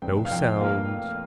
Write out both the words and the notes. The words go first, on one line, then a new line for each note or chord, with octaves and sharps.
No sound.
F1 G5
F5
F2 G5
A#3 F4